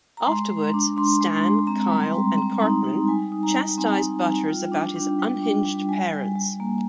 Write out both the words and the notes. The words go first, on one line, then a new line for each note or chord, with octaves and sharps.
Afterwards, Stan, Kyle and Cartman chastise Butters about his unhinged parents.
A#5
G#3 C6
G#3
D4
D4 C6
G#3
G#3
C4 A#5
G3
C6
G3
C4 A#5
D#4
D#4
G3 G#5
D#4
A#5
G3
C4 G#5
D#4
G3
F4 G5
D4
D4
G3 G5
D4
G3
G3 G#5
G3
G3
A#3